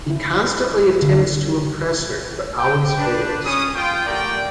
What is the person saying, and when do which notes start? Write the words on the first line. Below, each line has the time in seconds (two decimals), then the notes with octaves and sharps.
He constantly attempts to impress her but always fails.
0.10 E4
1.02 D3
2.58 G5
2.98 D4 B4
3.46 C#4 D#6
3.75 F4 G5
4.06 A3 F#4 G4 A#4 D5 G5